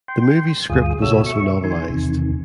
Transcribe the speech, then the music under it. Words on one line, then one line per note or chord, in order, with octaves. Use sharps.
The movie's script was also novelized.
G5 C6
D2 G2 F4 G#4 D#6
B2 F#4 A4 C#5 E5 E6
E5 C#6
D#3 G#5 C6
E2 C3 D#3